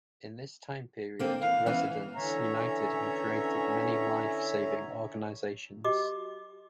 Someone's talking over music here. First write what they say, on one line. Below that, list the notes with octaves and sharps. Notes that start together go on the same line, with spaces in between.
In this time period residents united and created many life-saving organizations.
D3 A#3 C4
E3 F5
E3 B3 C#4
D3 E3 C#4 C#5 E5 A#5
F#4 G4 D#5 D6